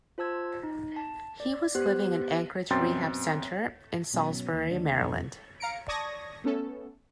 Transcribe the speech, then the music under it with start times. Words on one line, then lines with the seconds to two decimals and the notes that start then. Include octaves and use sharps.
He was living in Anchorage Rehab Center in Salisbury, Maryland.
0.18 F4 C5 A5 E6 G#6
0.63 D#4
0.96 A5
1.40 D5
1.75 B3 G4 C5 F#6
2.70 F#2 B2 C4 G5 C6 A6
4.14 B2 F#3 C#4
4.53 D#2
4.71 D#2 D3 A3 D4
5.00 A1 F2 F3 C4
5.60 F5 A#5 C#7 D7
5.88 D5 A5 C#6 D#6 G#6 A#6
6.44 A3 B3 C#4 A4